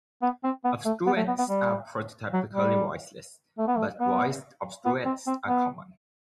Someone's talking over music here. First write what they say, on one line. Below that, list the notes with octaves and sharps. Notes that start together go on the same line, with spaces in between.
Obstruents are prototypically voiceless, but voiced obstruents are common.
B3
C4
B3
A3
B3
A3
B3
B3
G3
F#3
G3
A3
B3
A3
B3
B3
C4
C4
B3